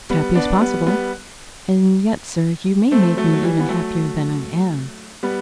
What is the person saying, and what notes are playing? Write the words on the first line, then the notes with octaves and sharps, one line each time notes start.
"As happy as possible; and yet, sir, you may make me even happier than I am."
G3 B3
B3 D4
G3 B3
G3 B3
A3 C4
F#3 A3
F#3
E3 G3
B3
F#3 A3
G3 B3